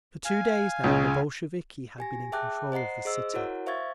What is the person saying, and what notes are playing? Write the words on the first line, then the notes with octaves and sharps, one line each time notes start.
For two days now the Bolsheviki had been in control of the city.
F5 G#5
C#2 C#3
G4 G#5 A#6
G#4 E5 G5 A5 D6 F#6
C5 D#5 F#5 A#5 C7
G#4 C5 D#5 E6
E4 F#4 A#4 C#5 F#5
C5 E5 F5 C#6 G#6 A6